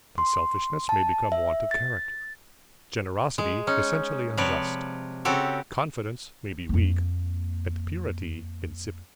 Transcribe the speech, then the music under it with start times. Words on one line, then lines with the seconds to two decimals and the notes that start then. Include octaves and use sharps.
Unselfishness may become want of character; generosity essentially unjust; confidence may be weak, and purity insipid.
0.18 C6
0.89 A5
1.32 E5
1.71 A6
3.38 G#3
3.67 C#4 D#4
4.37 C3 F3 B4 C#5 D5
5.25 C#3 C4 F#4 G4 A4
6.69 F2 A#3